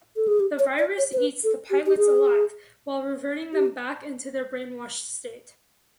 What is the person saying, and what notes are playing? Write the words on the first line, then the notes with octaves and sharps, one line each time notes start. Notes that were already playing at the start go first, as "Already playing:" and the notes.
The virus eats the Pilots alive while reverting them back into their brainwashed state.
A4
G#4
G4
C#5
D5
C#5
C5
B4
A4
G4
G4
G#4
G4